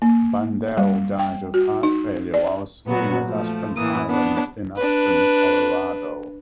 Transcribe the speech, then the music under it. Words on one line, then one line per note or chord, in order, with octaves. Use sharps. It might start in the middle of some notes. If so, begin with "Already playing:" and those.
Bandel died of heart failure while skiing at Aspen Highlands in Aspen, Colorado.
A#3
G3
G5
F#4
D#4
D5
A#2 F#3 B3 F#4
F3 A3
A2 E3 A#3 D#6
B3 D4
D4 B4